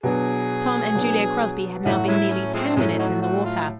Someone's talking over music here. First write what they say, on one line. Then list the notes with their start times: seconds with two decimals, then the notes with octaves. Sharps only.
Tom and Julia Crosby had now been nearly ten minutes in the water.
0.03 B2 F#3 B3 D4 G#4
0.95 B2 F#3 B3 D4
1.86 A2 F#3 A3 C#4 D#4 F#4
2.08 G#3 C#4 E4
2.31 C#4
2.54 F3 G#3 C4
2.65 D4
2.76 A2 F3 F#3 G#3 A3 C#4
2.99 C#4 D#4 F#4
3.22 F#4
3.45 F4